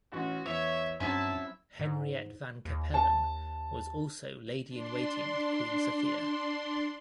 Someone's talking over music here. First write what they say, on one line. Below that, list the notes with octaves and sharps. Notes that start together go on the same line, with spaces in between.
Henriette van Capellen was also lady-in-waiting to Queen Sofia.
A1 C#4 F#4
E2 C#5 E5
G2 F#3 C4 C#4 E4 E5 A5
G#2
D#2
A5
D4 C6